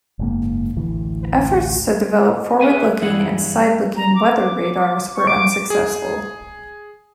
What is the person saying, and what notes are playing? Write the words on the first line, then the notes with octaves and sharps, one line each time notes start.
Efforts to develop forward-looking and side-looking weather radars were unsuccessful.
F#1 G#2 A#3
A1 D2 E3
G#4 B4 E5 G#5
G2 E3 E4 G#4 F#5
A#5
D6
C#6
D6 D7
G#4